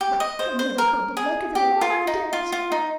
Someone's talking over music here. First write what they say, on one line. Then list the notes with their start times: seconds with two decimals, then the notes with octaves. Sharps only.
Well, I never heard the like of it in all my days!
0.01 G4
0.20 D#5
0.39 C5
0.59 C5
0.78 A#4
1.17 G#4
1.55 G4
1.81 F4
2.07 D#4
2.33 F4
2.52 F4
2.72 D#4